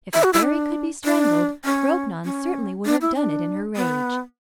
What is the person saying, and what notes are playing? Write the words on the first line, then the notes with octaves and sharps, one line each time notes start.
If a fairy could be strangled, Grognon certainly would have done it in her rage.
E5
F#4
E4
D4
D4
C#4
C#4
D4
E4
D4
B3